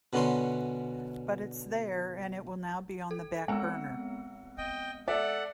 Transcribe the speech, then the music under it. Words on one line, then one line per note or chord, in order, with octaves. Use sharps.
But it's there and it will now be on the back burner.
B2 D3 B3 C#4 A#5 C6
A4
G#3 B3 C4 F#5 E6
D#5 G5
A4 D5 E5 F#5